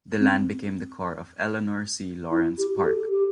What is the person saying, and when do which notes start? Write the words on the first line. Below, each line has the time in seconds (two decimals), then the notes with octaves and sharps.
The land became the core of Ellanor C. Lawrence Park.
0.20 C4
2.30 E4
2.58 G4
2.76 G4
2.84 A4
3.10 G4